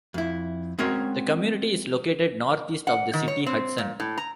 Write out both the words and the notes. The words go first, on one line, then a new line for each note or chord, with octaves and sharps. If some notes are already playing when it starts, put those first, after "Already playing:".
The community is located northeast of the city of Hudson.
F2 E4
G#3 C4 C#4 F#4 A#4 C#5
F#5
D#3
C#5
C4
A#2
A2
A#5